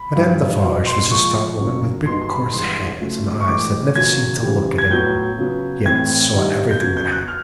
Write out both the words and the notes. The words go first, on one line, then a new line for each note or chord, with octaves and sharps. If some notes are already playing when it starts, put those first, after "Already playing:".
Madame Defarge was a stout woman with big coarse hands and eyes that never seemed to look at any one, yet saw everything that happened.
Already playing: B5
G2 E3 G3
B2 F#3 B3
C6
A#2 F3 G#3 C#6
F#2 C#3 F#3 A#3
G2 D#3 F#3 B3 C6
C6
B5
G2 E3 G#3 C6
C#3 F#3 A3
C#6
A2 E3 G#3 D6
E2 C#3 F#3 A#3 G#6
C#3 E3 G3
G#6
A2 F#3 B3 G6
C#3 F#3 B3
A2 E3 A3 C4 G#6
G2 D#3 G3 B3
G6
F#2 C#3 F#3 B3 G#6
G6
F#6
F6